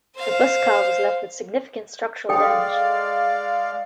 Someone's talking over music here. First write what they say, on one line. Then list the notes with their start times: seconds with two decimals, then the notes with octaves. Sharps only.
The first car was left with significant structural damage.
0.15 C5 F5
2.29 G#3 A4 D5 F5 G5